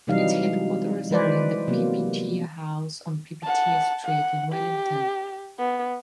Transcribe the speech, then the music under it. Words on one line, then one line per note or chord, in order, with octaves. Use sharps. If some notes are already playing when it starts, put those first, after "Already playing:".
Its headquarters are in the Pipitea House on Pipitea Street in Wellington.
C3 E3 F#3 G3 D#4 F5
G#3
E3 G#3 B4 C5 D5
C3 F#3 A#3 B3
F#5 A5
F#5
G4
B3